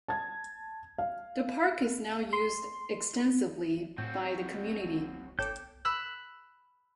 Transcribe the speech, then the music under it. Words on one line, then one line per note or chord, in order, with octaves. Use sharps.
The park is now used extensively by the community.
A5 G#6
F5
C6
A2 F#3 C4 G6
G#1 A4 C#5 G5 D6 G6
B5 E6 F#6